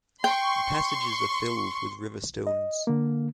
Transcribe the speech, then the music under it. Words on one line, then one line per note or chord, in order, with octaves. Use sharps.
The passages are filled with river stones.
G5 C6 C#6
D#5
D3 A#3